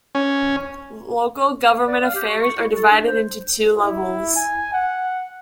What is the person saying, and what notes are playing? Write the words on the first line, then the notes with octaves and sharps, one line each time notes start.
Local government affairs are divided into two levels.
C#4
D5
F5
G4
C#6
C#6
E4
A4
D4
C5
E4
G#5
F#5